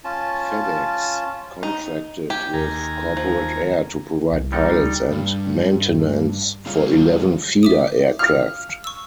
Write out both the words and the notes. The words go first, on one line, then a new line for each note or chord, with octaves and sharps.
FedEx contracted with Corporate Air to provide pilots and maintenance for eleven feeder aircraft.
C#4 F4 A5
D#4
G4 G#5
D#2 G#5 A#5
F3
C2
G3 G#3 D#4
D2
G2
C#3 G3 F4 G#4 C#5 F5
E5 D6 D#6
F5 F6
C#6 E6